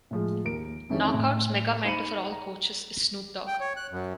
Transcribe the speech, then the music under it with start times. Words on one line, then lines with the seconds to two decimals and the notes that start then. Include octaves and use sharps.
Knockouts Mega Mentor for all coaches is Snoop Dogg.
0.11 A2 F3 G#3
0.45 D#2 A#4 D7
0.90 F2 D#3 E3 G#3 C#4
1.13 A2
1.85 D#4 C5 B5 C#7 D#7 F#7
2.32 A#5
3.47 G5
3.60 C#5
3.77 F#6
3.91 F#2